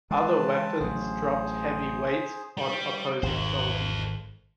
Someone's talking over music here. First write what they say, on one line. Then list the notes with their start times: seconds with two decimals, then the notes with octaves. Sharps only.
Other weapons dropped heavy weights on opposing soldiers.
0.11 E3 G#3 C4 B4 A5
0.80 A1 D3 F#3 G#4 C5
2.57 G3
3.22 G#1 A4 C5